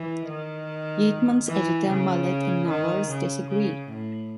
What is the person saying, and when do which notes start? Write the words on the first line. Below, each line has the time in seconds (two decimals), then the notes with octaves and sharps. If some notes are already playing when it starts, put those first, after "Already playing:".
Yeatman's editor, Mullett and Nowers disagree.
Already playing: E3
0.26 D#3
1.47 E3
1.88 C#3
2.68 D#3
3.08 C#3
3.48 C#3
3.88 A2